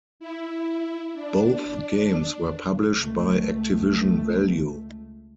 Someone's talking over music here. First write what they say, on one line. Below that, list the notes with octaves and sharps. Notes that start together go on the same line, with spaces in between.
Both games were published by Activision Value.
E4
D4
C#2 A3